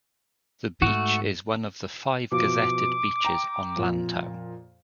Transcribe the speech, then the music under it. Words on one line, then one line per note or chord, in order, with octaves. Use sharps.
The beach is one of the five gazetted beaches on Lantau.
G#2 A3 F#4
B2 F3 D6
G5 A#5
F2 A#2